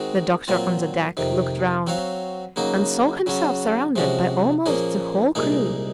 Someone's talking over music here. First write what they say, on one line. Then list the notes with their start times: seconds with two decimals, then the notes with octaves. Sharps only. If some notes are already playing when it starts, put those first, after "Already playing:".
The doctor, on the deck, looked round, and saw himself surrounded by almost the whole crew.
Already playing: D#3 G#3 C4 F#4 C5
0.48 A#2 F#3 C4 F4
1.17 F2 C3 D#3
1.87 F#3 C4 F#4 C#5 F5
2.56 C#3 F#3 A#3 D#4 F#4
3.26 C#3 F#3 C#4 F#4 C#5
3.96 C3 F3 G#3 C#4 F#4
4.66 A#2 F3 A#3 C#4 G#4
5.35 C2 A#2 G#3 D#4